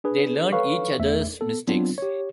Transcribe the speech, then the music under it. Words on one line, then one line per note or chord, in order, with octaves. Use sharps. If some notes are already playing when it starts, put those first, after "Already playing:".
They learn each other's mistakes.
D4 G#4 B4
A4 B4 C#5 F5 C#6
G1 E2 A3 E5
B3 A4
F#3 B3 C4 D4 F4
G4 C#5